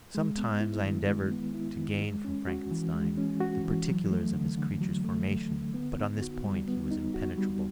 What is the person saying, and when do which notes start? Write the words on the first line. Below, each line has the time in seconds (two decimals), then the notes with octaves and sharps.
Sometimes I endeavoured to gain from Frankenstein the particulars of his creature's formation, but on this point he was impenetrable.
0.15 G#3
0.38 B3
0.60 E4
0.84 D#3
1.07 G#3
1.31 B3
1.54 E4
1.77 D#3
2.01 G#3
2.25 C#4
2.47 F#4
2.71 E3
2.94 G#3
3.18 C#4
3.40 F#4
3.64 E3
3.88 F#3
4.11 A3
4.34 D3
4.58 D3
4.81 F#3
5.05 A3
5.28 D3
5.51 D3
5.74 B3
5.98 D#4
6.22 F#4
6.44 G3
6.68 B3
6.91 D#4
7.14 F#4
7.38 G3